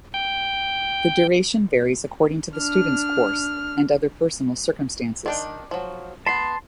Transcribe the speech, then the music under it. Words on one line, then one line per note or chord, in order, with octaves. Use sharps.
The duration varies according to the student's course, and other personal circumstances.
G5
D4 F6
D#3 D4 G5
F3 F#3
B3 A5 B5 C6